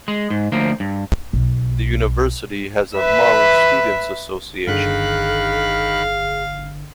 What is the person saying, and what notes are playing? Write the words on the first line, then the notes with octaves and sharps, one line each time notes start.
The university has a Hmong Students Association.
G#3
G#2
D2 F3 A#3
G2
B1
B4 E5
G1 D3 D#3 G#4 F5 B5 F#6